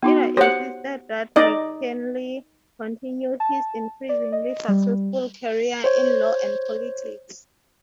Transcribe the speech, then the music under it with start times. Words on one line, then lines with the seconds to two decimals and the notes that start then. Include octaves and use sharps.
Ida insisted that McKinley continue his increasingly successful career in law and politics.
0.03 B3 D#4 F#4
0.37 G4 C5 C#5 F#5
1.36 D#4 D5 D#5
3.40 A5
4.09 D5
4.32 D#5
4.68 G3
5.84 C5 C#5